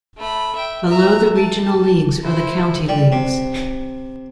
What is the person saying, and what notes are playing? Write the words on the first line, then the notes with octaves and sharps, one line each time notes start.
Below the regional leagues are the county leagues.
A3 B5
E5 G5
E5 A#5
A5
E4 C5
G3
C3